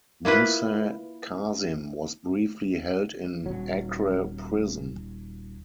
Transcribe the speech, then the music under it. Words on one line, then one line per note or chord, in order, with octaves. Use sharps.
Musa Kazim was briefly held in Acre prison.
A#3 E4 F4 B4
D#1 F#3